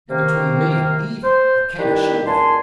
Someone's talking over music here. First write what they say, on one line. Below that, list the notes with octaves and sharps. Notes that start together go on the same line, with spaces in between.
"And between me and Eva, I can assure you."
C3 D#3 A#3
C5
D#3 G3 D4 E4 G4 B4
C#2 A#2 G#5 A5 C6